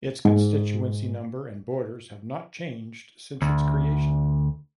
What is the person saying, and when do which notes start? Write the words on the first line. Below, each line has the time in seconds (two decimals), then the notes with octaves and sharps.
Its constituency number and borders have not changed since its creation.
0.25 G#2
3.42 D2